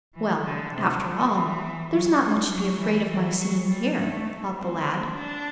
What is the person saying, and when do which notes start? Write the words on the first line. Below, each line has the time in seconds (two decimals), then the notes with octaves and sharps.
Well, after all, there's not much to be afraid of my seeing here, thought the lad.
0.15 E3
0.44 D3
0.74 C3
1.03 D3
1.33 E3
1.91 F#3
2.21 G3
2.50 F#3
2.80 E3
3.09 E3
3.39 F#3
3.68 G3
3.97 A3
4.56 C4
5.15 D4